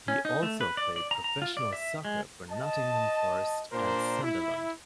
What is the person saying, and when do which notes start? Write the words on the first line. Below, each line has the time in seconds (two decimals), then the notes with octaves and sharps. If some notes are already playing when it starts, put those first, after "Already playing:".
He also played professional soccer for Nottingham Forest and Sunderland.
0.08 C#4
0.25 D#4
0.43 A3
0.61 B4
0.77 D5
0.96 D5
1.11 A#5
1.24 A#5
1.42 F4
1.57 D5
1.73 E5
2.05 G#3
2.51 D#5 A5
3.73 A#2 D4 A#4 C5
4.24 E4